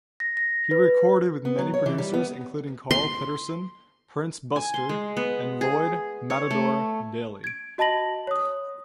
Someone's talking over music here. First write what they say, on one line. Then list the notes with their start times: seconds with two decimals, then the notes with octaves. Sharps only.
He recorded with many producers, including Karl Pitterson, Prince Buster, and Lloyd "Matador" Daley.
0.20 A#6
0.37 A#6
0.71 B4
1.45 B3
1.59 F#3
1.74 C#5
1.86 E3
1.98 G3
2.14 B3
2.91 C6
4.56 G#5
4.74 C6
4.89 G#3
5.17 B3
5.61 G#4
6.30 C#5
6.51 A3
7.44 G#6 D7
7.78 F#4 D#5 A5 B5 A#6 F#7
8.27 C#5 D#6